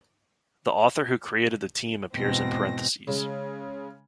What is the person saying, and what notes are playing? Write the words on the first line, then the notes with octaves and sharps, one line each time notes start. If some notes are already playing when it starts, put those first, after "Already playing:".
The author who created the team appears in parentheses.
E2 G#2 B2 C4 A#6
C#3 G#3